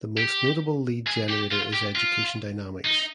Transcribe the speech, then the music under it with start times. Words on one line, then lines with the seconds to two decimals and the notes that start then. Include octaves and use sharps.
The most notable lead generator is Education Dynamics.
0.18 G4
1.07 G#4
1.29 G4
1.51 F4
1.73 G4
1.95 F4
2.85 D#4